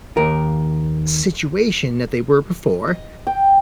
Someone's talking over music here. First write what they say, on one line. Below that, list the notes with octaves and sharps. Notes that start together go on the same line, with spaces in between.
situation that they were before.
D#2 A#4
D#5
G5